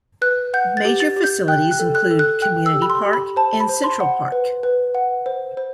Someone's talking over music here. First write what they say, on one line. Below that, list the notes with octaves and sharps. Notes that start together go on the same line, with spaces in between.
Major facilities include Community Park, and Central Park.
B4 F#6
F#5 G6
A6
G4
A6
G4
G6
G5 F#6
F#6
A4
F#6
A4
F#6
G5 F#6
E6
G4
B5
C6
G4
B5
C5 A5
B5
C5
C6
F#5
B4
B4
F#5
C5
C5